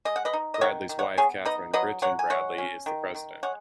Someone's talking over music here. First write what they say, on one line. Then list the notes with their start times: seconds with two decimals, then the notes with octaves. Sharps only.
Bradley's wife, Katherine Brittain Bradley, is the president.
0.05 G#3 D#5
0.16 F#5
0.25 B4 D#5
0.33 D#4
0.54 D#5
0.61 D#3 C#5 F#5
0.89 D#3
0.99 C#5 F#5
1.17 B3 G#4 C#5
1.45 D#4 B4 D#5
1.73 F#3 B4 D#5
2.02 F#3 C#5 F#5
2.19 G#5
2.30 G#3 C#5 F#5
2.58 C#4
2.86 D#3
3.14 D#3
3.43 G#3 C#5 F#5